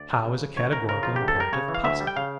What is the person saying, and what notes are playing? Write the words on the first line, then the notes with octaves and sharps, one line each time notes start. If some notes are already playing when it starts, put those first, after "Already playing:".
How is a Categorical Imperative Possible?
Already playing: D2 D5
C#4
C#3
F3
D2 C#5
C#4 A#4
C#3 A#4
F3 F4
D2 G4
A4
G3 A#4
C#3 C#5
E3
F5
D2 E5
G3
G5
C#3 F5